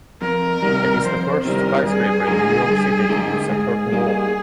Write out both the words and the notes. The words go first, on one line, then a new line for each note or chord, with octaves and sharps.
It is the first skyscraper in New York City to use a curtain wall.
F2 A#4
C3 D#3 G3
F2 C5
C3 D#3 G3 A#4
G2 G#4
D3 G#3 D#4 A#4
G2
D3 G#3 D#4 A#4
G#2 G#4
G3 A#3 D#4